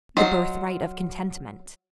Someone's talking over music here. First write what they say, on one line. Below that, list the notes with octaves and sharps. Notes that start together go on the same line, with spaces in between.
The birthright of contentment.
F#3 F4 C5 D#5